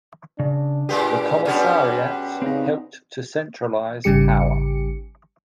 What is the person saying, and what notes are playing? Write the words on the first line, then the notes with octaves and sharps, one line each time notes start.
The commissariats helped to centralize power.
C#3 D4
A2 G#3 G4 G#4 B4
F#2 G3 B3
C#3 C4 D#4
G#1 C#3 G3 G4 C#7